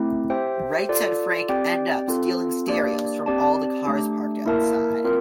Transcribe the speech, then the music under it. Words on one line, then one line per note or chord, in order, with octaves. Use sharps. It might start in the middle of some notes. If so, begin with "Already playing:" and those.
Right Said Frank end up stealing stereos from all the cars parked outside.
Already playing: A3 C4 E4
G4 C5 E5 G5
F4 A4 D5
C4 G4 D5 G5
C4 F4 A4
A#3 D4 G4 D5
C4 G4 D5 A5
A3 D4 G4
A#3 E4 A#4 E5 A5
C4 F4 A#4